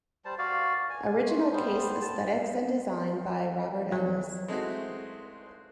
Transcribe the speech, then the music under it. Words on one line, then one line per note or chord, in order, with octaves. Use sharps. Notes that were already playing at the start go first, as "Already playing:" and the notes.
Original case aesthetics and design by Robert Ellis.
G3 C5 A5
F#4 D5 F5
G#5
F4
G3 B3 C5
A5
F#3
G#3 A3 C4 D#4 E4 F#4